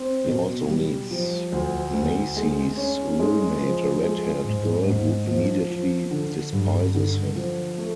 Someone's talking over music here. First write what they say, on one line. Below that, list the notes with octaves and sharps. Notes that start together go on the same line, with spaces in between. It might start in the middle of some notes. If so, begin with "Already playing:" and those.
He also meets Maisie's roommate, a red-haired girl who immediately despises him.
Already playing: C4
B2
G3
F3
D2
D2
G#3
C#4
G#3
F3
G#3
G#2
G#2
F3
F3
D3
G2
D3
F3
A3